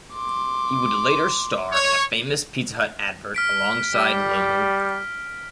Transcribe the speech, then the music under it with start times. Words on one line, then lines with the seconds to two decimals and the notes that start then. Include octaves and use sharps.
He would later star in a famous Pizza Hut advert alongside Lomu.
0.14 C6 D6
1.72 C#5
3.34 F6 B6 D7
3.95 G3